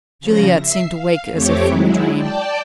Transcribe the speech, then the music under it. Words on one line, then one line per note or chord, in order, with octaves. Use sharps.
Juliette seemed to wake as if from a dream.
C#3 F3 A#6
E5 C7
F5
F2 A3 C4 G4 C#5 D6
F#3 G#3 E4
D5 G5 A5